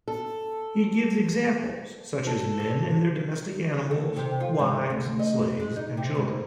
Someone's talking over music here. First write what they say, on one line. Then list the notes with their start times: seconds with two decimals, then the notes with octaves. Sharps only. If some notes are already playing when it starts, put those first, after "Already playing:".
He gives examples such as men and their domestic animals, wives, slaves, and children.
0.08 A4
2.27 A4
3.91 A3
4.16 C3
4.40 F4
4.59 G#2
4.90 D2
5.19 D#5
5.60 G#3
5.76 D#4
5.97 C3
6.15 G#2